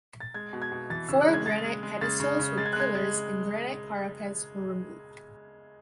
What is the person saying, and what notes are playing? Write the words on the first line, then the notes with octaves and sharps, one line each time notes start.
Four granite pedestals with pillars and granite parapets were removed.
A6
G#3 G#6
B2
G#6
B2
E3 A6
C#3 E6
F#6
G#3
G#6
G#3 A6
G#3
G#3
C#3 A6
C#3
C#3
G#3 A6
G#6
F#6
G#3 G#6
G#3